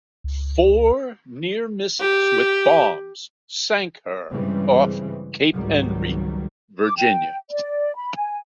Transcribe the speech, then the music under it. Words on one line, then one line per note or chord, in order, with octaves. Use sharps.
Four near-misses with bombs sank her off Cape Henry, Virginia.
C#2
G4
G2 C#3 E3 G3 G#3 C4
G#1 C#2 D#3 F#3 G3
D6
G5
D5
B5
G#5